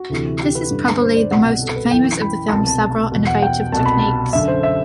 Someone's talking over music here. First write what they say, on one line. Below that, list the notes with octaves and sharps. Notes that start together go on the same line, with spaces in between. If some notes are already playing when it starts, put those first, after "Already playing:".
This is probably the most famous of the film's several innovative techniques.
Already playing: F#4
D2 C3 E3
G4
B4
G2 D3
C5
D5
C2 B2 F#5
A4
B4
F#2 E3 G5
B5
C2 B2 A5
A5
A5
E2 B2
F#5
G5
C2 B2 A5
B5
A5
F#2 D3 E5
C5
E5